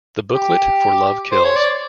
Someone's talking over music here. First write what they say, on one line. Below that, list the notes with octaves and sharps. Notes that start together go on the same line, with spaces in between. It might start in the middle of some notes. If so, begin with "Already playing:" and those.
The booklet for Love Kills!
G4
C5
C#5
D5